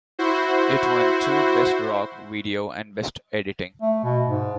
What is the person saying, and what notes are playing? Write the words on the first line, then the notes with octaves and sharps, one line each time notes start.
It won two, Best Rock Video and Best Editing.
E4 F#4 C5
A3
B2
G#2